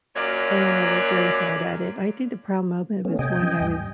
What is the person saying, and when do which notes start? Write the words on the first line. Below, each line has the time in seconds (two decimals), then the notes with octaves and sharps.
and I worked very hard at it. I think the proud moment was when, I was
0.16 F#2 A#2 F#3 A#3 C#5 D5
3.05 A3 B3 C#4
3.19 C3 D#5 G5 G#5
3.40 E3 F#3 C#4
3.60 D#2 G#2 G3